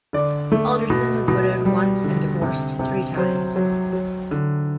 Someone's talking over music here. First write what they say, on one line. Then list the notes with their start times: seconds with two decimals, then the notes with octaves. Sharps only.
Alderson was widowed once and divorced three times.
0.13 D3 D5
0.52 A3
0.90 B2
1.28 B2
1.65 G3
2.04 D3
2.42 C3
2.79 C3
3.17 F#3 C5
3.56 F#3
3.93 F#3
4.31 D3